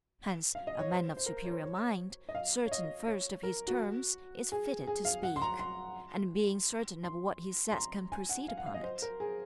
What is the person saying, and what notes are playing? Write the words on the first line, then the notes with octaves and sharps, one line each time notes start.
Hence, a man of superior mind, certain first of his terms, is fitted to speak; and being certain of what he says can proceed upon it.
F5
D#5
C#5
C5
C5
A#4
C#5
C5
C#5
D#5
F5
C#5
D#5
C#5
A#4
F#4
G#4
G#4
F5
F#5
C6
A#5
C6
C6
C6
A#5
G#5
F#5
F5
F#5
F5
D#5
C5
A#4
G#4